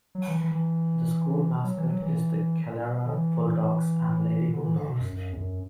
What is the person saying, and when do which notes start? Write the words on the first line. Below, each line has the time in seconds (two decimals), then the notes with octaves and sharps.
The school mascot is the Calera Bulldogs and Lady Bulldogs.
0.15 F#3
0.28 E3
0.40 E3
0.52 E3
1.64 F#3
1.77 E3
1.90 F#3
2.02 E3
3.06 D3
3.14 E3
4.53 D3
4.63 E3
4.76 D3
4.88 B2
5.00 F#2
5.13 F#2
5.32 E2
5.37 F#2